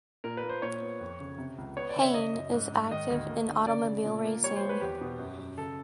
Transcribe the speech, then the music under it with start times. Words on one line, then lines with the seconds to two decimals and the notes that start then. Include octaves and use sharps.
Hane is active in automobile racing.
0.24 A#2 A#4
0.37 B4
0.43 A#3
0.49 C5
0.62 A#2 C#5
0.82 B3
1.00 F2
1.20 C#3
1.38 C3
1.58 C#2
1.76 B3 C#5
1.89 D5
1.96 C#3
2.02 E5
2.14 C#3 D#5
2.34 F#2
2.53 G#2
2.72 G#2
2.91 D#3 D#5
3.10 D2
3.29 A#3
3.48 D3
3.67 C#3 D5
3.87 C#3
4.05 A#2
4.25 A#3
4.43 G3 C#5
4.56 C5
4.63 B3
4.69 B4
4.81 E2 G4
5.01 B2
5.19 F#2
5.38 F#2
5.57 C#3 A4